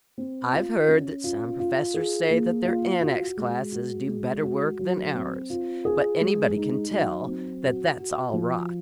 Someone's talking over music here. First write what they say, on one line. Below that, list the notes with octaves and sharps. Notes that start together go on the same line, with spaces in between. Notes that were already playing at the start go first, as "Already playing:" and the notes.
"I've heard that some professors say that their Annex classes do better work than ours,--but anybody can tell that that's all rot."
C4
F4
C#4
F4
F4
G#4
A#3
F4
F#4
G#3
F#4
G#3
F#4
F#3
C4
F4
G#4
G#3
D#4
F#3
C4
F#4
F#4
F3